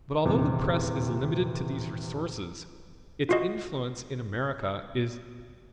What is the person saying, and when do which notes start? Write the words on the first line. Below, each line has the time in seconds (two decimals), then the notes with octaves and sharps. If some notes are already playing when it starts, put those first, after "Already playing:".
But although the press is limited to these resources, its influence in America is immense.
0.25 D#1 E2 C3
3.29 F4 F#4 D#5